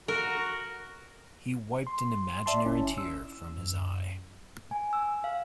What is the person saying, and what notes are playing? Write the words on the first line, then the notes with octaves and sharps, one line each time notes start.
He wiped an imaginary tear from his eye.
F#4 A#4
C6
D5 E5 A5 C6
G1 C#4 E4
E6
F#2
G#5
E6
F5